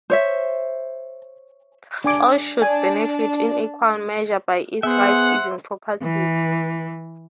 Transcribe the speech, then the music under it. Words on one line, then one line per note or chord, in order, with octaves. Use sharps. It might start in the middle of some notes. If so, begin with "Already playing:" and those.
All should benefit in equal measure by its life-giving properties.
C5 C#5 E5
D4 G#5 D6
D4 G#5
B3 G#4 C5 E5 F#5
E3